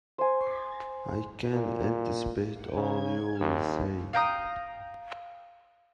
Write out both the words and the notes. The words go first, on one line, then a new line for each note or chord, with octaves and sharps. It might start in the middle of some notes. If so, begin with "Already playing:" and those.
I can anticipate all you will say.
C5 G#5
A#2
C#3
D#2
F5 G5 A#5 D#6